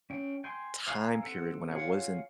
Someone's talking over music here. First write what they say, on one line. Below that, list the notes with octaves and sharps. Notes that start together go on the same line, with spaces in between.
time period when I wasn't
C#4 G5
G5 G#5 C6
F5 G#5 A#5 E6
C4 A4 F#5
F4 G#4 C#5 F5 F#5